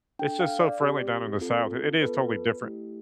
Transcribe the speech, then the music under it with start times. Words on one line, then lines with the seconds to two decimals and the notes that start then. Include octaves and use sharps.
it's just so friendly down in the South, i it is totally different.
0.19 D4 A4 G5
0.40 F5
0.60 D5
0.80 C4 G4
1.41 C4 F4 A4
2.02 B3 F4 A4 B4
2.62 A3 E4 G4